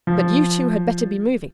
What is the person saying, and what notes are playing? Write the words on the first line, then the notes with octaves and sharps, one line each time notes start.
But you two had better be moving.
F3